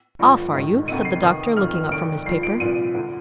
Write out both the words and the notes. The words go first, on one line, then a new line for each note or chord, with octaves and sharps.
"Off, are you?" said the doctor, looking up from his paper.
G1 G2 F3
A#1 G#2 D#3
D2 C3 D#3 D#7
C7
D#2 D#3 D#6
G1 F2 D#3 F6
F1 D#2 D#3 D7
G1 G2 F3 C7
D7
C2 A#2 F3 D#7
D2 D3 F3